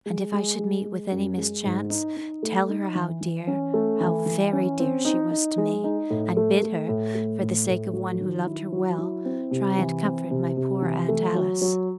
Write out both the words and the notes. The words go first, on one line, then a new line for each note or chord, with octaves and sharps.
And if I should meet with any mischance, tell her how dear, how very dear, she was to me, and bid her, for the sake of one who loved her well, try and comfort my poor aunt Alice.
G#3
G#3
G#3
G#3
F#2
G#3
G#2
D#4
D#4
A3
D#4
E3
E3
C#4
A3
E3
E3
C#4
C4
D#4
D#4
G#3
D#4
A2
A3
A3
A2
A3
A2
A2
F#3
D#3
E4
F#3
E4
C4
C3
E3
C4
C3
C3
E3
A3
F#3
F#3